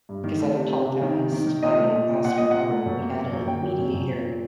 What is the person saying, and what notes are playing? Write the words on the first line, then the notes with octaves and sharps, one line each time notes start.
Because I'd apologized, I asked for help, we had a mediator.
G2
D#3
A3
C3
C3
C3
D#3
C3
D#3
D#3
A#2 D#5
A3
A#2
A#2
A#2 F#5
A#2 D#5
A#2 F#5
A3
F#2
A#3
A#3
F#2
A#3 G5
F#3
F#2
F#2
A#2
A#2